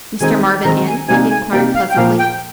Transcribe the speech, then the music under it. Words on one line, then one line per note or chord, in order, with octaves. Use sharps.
"Mr. Marvin in?" he inquired, pleasantly.
D#3 G#3 C4 D#4 G#5
D#3 G#3 C4 D#4 A#5
G#5
C3 G3 A#3 D#4 G#5
G#5
C3 G3 A#3 D#4 G5
F5
G5
A#2 F3 A#3 F5
G5